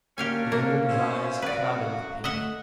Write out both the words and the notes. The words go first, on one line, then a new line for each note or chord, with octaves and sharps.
The young woman’s eyes clouded with pity.
D3 A#3 C#4 D4 G4 F5 G#5
A#3 F5
C#4 E4 C5
F#2 A2 F#4 B4 D5
A3 D#5 E5 F#5